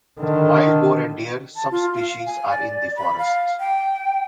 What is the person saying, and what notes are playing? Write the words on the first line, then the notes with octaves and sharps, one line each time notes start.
Wild boar and deer subspecies are in the forests.
D3 D#3
A5
F4
F5
G#5
D5
B5
F5
G5